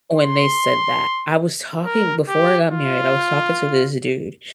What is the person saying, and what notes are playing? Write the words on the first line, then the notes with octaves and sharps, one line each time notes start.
when they said that. I was talking Before I got married, I was talking to this dude,
C6
A#4
G4
F4